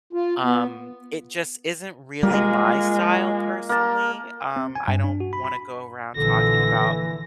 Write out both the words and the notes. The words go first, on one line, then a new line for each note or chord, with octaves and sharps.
um, it just isn't really my style personally? Um, I don't wanna go around talking about
F4
B3
G3 G#3 A#3 F4
A#3 A5
C4
G#5
G2
D4
F#4
B5
B5
A#1 D3 E3 A4 A#6